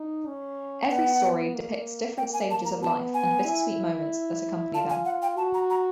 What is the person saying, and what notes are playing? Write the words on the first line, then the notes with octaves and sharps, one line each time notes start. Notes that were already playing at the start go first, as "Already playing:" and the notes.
Every story depicts different stages of life and bittersweet moments that accompany them.
Already playing: D#4
C#4
B3 F#5
A#3
A#3 G5
G#5
A5
A#5
B3 A5
G#5
E4
F4 A5
G#5
F#5
G5
F#4 A5
A#5
A#5